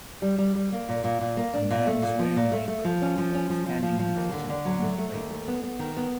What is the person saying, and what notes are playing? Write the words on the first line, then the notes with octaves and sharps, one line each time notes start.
A man is wearing an apron, standing in the kitchen holding a plate.
G3
G3
G3
A#3
A#2
A#2
A#2
A#3
D4
A#2
A3
A#2
F3
A#2
A3
A3
F3
C#4
F3
C#4
F3
F3
F3
F3
D#2
D3
D3
F#3
A3
A3
D#2
A3
B3
B3
D#3
B3